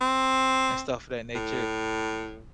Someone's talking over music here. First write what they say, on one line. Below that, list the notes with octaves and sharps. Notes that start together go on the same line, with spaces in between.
and stuff of that nature.
C4
A2